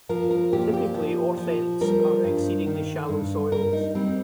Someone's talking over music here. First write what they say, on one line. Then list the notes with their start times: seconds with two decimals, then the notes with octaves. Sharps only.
Typically, Orthents are exceedingly shallow soils.
0.09 F3 A#4
0.31 A#4
0.52 A#2 G4
0.73 G4
0.95 F3
1.38 F3
1.81 G3 A#4
2.24 G2
2.67 D#3
3.09 G2
3.52 G3 A#4
3.73 D#4
3.95 G3 C4